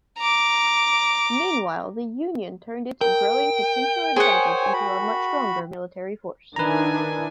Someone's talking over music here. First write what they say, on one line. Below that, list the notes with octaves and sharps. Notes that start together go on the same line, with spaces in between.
Meanwhile, the Union turned its growing potential advantage into a much stronger military force.
A#5 D6
A#4 G5
G#4 C5 C#5 F#5 G#5
F#4 B5
D#3 D4 E4 B4 G#5 A#5